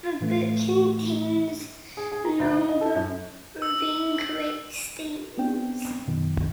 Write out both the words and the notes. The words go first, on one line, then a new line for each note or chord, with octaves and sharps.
The book contains a number of incorrect statements.
A2 E3 A3
G#4
G#4
A#5
D2
D#4
D#5
A4
F#2
E6
B3 C4 D4 G5
F#2 B2 D#3